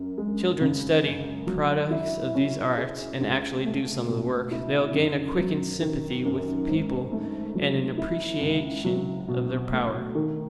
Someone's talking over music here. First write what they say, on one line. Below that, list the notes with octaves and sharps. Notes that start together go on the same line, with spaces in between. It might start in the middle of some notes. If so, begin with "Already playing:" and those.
If children study products of these arts and actually do some of the work, they will gain a quickened sympathy with the people and an appreciation of their power.
Already playing: F#2
G#3
C#3
F#2
F#3
E4
C#4
G#4
C#2
A3
B2
E4
F#2
F#3
D#3
F#2
G#2
A3
F#3
E4
C#2
F#3
B2
A3
D#3